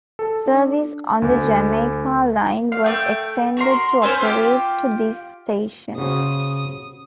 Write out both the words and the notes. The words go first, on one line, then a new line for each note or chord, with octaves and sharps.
Service on the Jamaica Line was extended to operate to this station.
A4
D4
D2
F5
A3 B3 G5
F#4 A#4 C6
C4 C#4 B4 C5
F4 G4
C#3 F#4 C5 D#6